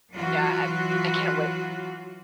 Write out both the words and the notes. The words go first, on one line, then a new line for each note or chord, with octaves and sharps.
Yeah, I I can't wait.
E3 F#3 F4 F#4